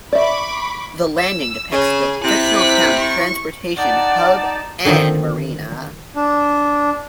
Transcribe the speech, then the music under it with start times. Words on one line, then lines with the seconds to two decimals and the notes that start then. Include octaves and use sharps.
The Landing depicts the fictional town's transportation hub and marina.
0.13 D5 E5 B5 C#6 D6
1.18 E6
1.72 C#3 G#4
2.23 C3 E4 F#6 B6
2.99 C#6
3.77 D#4 D5 F#5 A5
4.85 D3 D#3 F3 C4
6.16 D4